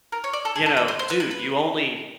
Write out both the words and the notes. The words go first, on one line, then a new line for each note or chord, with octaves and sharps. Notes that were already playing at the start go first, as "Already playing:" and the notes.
you know, "Dude, you only
A#4
C#5
D5
A4
G#4
A4
B4
C5
C5
B4
B4
B4